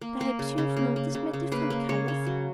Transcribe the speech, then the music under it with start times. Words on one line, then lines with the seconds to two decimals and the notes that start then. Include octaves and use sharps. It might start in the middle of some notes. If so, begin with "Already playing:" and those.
Perhaps you've noticed my different colors.
0.01 A#3
0.21 A#3
0.39 C#3
0.58 C#3
0.76 A#3
0.96 A#3
1.15 C#3
1.33 C#3
1.52 A#3 B4
1.70 A#3
1.89 C#3 C#5
2.08 C#3
2.26 F#3